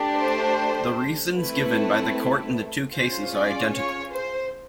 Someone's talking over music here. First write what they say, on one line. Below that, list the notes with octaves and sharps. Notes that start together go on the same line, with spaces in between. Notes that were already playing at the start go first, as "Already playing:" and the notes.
The reasons given by the Court in the two cases are identical.
Already playing: A3 D4 G4
C5
A3 C4 E4 B4
C#4 F4 G#4 C5
D5
C#5
C5